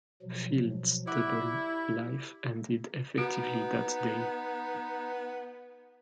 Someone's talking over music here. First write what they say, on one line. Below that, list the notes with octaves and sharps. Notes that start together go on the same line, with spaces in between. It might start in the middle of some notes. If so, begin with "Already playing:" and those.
Field's double-life ended effectively that day.
B2 F3 F#3
E4 G4 D5 F#5 C#6
B3 D#4 F#4